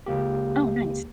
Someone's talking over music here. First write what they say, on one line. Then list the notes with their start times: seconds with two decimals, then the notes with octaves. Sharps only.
Oh, nice.
0.06 C#2 A#3 G4